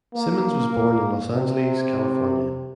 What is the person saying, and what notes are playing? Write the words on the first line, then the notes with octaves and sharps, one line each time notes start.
Simmons was born in Los Angeles, California.
A#3
C3